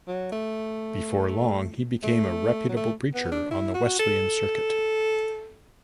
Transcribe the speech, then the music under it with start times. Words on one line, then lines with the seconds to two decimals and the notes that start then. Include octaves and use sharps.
Before long he became a reputable preacher on the Wesleyan circuit.
0.08 F#3
0.32 A3
2.03 A3
2.69 F#3
2.76 A3
3.14 B3
3.32 D4
3.51 E4
3.74 F#4
3.99 A4